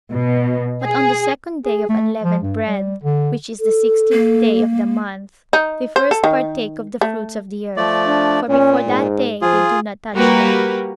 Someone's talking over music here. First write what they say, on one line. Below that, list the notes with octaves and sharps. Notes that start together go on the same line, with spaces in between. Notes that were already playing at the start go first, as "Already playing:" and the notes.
But on the second day of unleavened bread, which is the sixteenth day of the month, they first partake of the fruits of the earth, for before that day they do not touch them.
B2
G#4
G#4
A3
F3
G2
G3
D3
A4
A#3
D#4
C5
A4
D#3
A3
F3 A3 D5
D4
A#2 C#4
G#2
F3 F4 G#4
G3 A#3 F#4 G4 A#4 B4